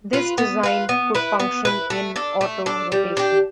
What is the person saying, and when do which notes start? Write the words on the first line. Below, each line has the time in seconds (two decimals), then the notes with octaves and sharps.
This design could function in autorotation.
0.13 F4 B4
0.38 B3
0.63 F4 B4
0.89 B3
1.15 E4 B4
1.40 B3
1.65 E4 B4
1.90 A3
2.16 D4 A4
2.41 A3
2.66 D4 A4
2.92 G3
3.17 D4 G4